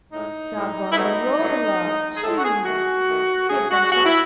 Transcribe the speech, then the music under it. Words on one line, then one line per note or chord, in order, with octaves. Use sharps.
'Savonarola, too,' he adventured.
A2 G#3 D#4
A2 G#3
E4
B2 F#3 A3 D#4
B2 F#3 A3
A2 G#3
G#4
A2 G#3 A4
F#4
G#4
D#3 A3 F#4
D#3 A3
C#3 F#3 A3 G#4
F#4
C#3 F#3 A3 F#4
E4